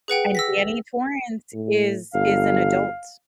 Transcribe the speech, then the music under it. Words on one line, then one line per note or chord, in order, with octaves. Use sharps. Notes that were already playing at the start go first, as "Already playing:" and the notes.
And Danny Torrance is is an adult.
G#4 B4 F#5 G5
E6 A#6 B6
A2
G1 F5